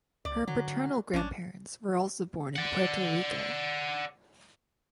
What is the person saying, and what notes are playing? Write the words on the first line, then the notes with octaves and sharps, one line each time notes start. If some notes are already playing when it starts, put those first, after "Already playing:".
Her paternal grandparents were also born in Puerto Rico.
C#2 D5
D3 F#3
A1 C#4 D4
D5 F#5